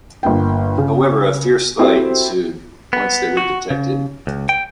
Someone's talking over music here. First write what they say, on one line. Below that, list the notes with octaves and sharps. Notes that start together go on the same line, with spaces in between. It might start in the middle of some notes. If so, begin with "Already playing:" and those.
However, a fierce fight ensued once they were detected.
G1 A#3 G5
C#3
C4 E4 F#4 G4 A4 C5
B3
F#4
C#3
C#2
G5